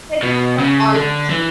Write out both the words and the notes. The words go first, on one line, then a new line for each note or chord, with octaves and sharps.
Credits from Allmusic.
B2
C#3
D3
E3